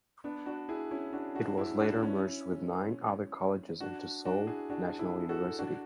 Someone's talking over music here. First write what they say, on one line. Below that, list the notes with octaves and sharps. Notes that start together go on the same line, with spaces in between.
It was later merged with nine other colleges into Seoul National University.
B3 D4
D4 F#4
E4 G#4
C#4 E4
D4 F#4
D4 F#4
E4 G#4
D4 F#4
C#4 E4
D4 F#4
D4 F#4
E4 G#4
D4 F#4
E4 G#4
F#4 A4
D4 F#4